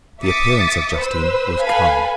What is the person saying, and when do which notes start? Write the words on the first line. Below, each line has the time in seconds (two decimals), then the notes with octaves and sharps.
The appearance of Justine was calm.
0.23 E5 D6 D#6 A6 B6 C#7
0.97 B4 C5 E6
1.61 A4 B4 F5 G#5 B5